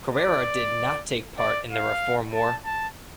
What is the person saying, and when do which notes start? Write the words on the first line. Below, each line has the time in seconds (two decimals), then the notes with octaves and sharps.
Carrera did not take part in the Reform War.
0.12 D5
1.39 D5
1.71 F5
2.33 A5
2.65 A5